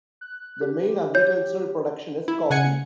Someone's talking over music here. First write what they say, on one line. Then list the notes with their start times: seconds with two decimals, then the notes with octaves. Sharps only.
The main agricultural production is coffee.
0.21 F#6
0.61 G4
1.15 C#5 G6
2.28 E4
2.50 C#3 F#5 G#5 G#6 C#7